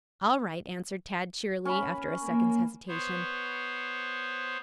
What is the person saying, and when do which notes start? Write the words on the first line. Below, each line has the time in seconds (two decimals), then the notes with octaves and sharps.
"All right," answered Tad cheerily, after a second's hesitation.
1.65 C#4 B5
2.22 A#3
2.88 B3 C5 C#5